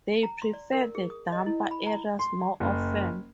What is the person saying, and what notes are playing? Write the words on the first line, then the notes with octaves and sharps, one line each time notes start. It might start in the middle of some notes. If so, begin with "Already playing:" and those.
They prefer the damper areas more often.
A#5
C6
D5
A#4
G#4
D#6
D#5
E4
B5
A#5
C6
F#1